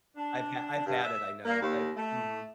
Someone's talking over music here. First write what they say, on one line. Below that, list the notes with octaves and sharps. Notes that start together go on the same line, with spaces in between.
I've had I've had it, I know. I mhm.
D4
G2
E5
A#3
D#2
A3